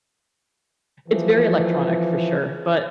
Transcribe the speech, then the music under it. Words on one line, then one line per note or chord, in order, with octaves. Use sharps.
it's very electronic for sure, but
E3 F3